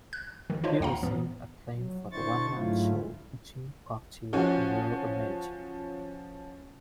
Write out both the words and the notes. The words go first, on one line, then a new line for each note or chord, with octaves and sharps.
He received acclaim for the one-man show "Jean Cocteau-A Mirror Image".
F#6
D#3
D4 E4 F4 C5 C#5 D#5
D#2 D#3 F5 F#5 A#5
A2 E3 B3
F#3
D3 D4 E4 C5 C#6 A6
G#2 D3 F#3 A3 E4 F4
F3 C#4 F#4